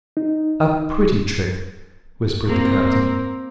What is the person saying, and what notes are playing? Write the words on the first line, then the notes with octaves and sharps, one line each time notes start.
"A pretty trick," whispered the captain.
D#4
A#3 C4